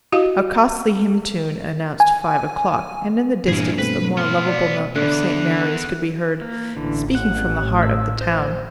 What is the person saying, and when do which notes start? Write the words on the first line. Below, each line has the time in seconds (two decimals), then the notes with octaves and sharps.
A costly hymn tune announced five o'clock, and in the distance the more lovable note of St. Mary's could be heard, speaking from the heart of the town.
0.12 E4 F#4 G4 D#5 F5
2.00 G#5
3.48 G2 A#2 E3 A#3 G#4
3.79 B2 A3 C4 B4
4.17 B3 C6 F6
4.48 D5
4.96 E2 D3 F#6
6.41 A#3
6.77 A1 D3 E3
7.15 F#5
7.83 E6
8.21 C5